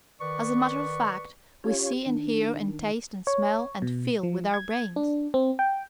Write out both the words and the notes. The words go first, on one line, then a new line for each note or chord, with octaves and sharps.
As a matter of fact, we see and hear and taste and smell and feel with our brains.
D#3 B4 D5 C#6
C#4 F4 G4 C#5
D#3 D4
C#5
B2
F3
G#6
D4
C4
G5